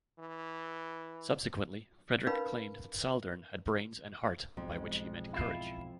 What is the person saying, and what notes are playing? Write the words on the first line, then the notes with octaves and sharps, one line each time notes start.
Subsequently, Frederick claimed that Saldern had brains and heart, by which he meant courage.
E3
C#4 D#4 A#4 B4 F5 B5
B1 F2 G#2 B2 G#3
E4 F4